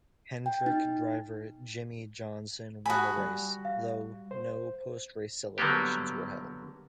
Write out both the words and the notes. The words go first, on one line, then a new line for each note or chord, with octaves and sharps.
Hendrick driver Jimmie Johnson won the race, though no post-race celebrations were held.
G5
D#4
F#4 G#5 A5 B5 D#6
G3
F5
C5
D3 F#3 G3 A#3 B3 G4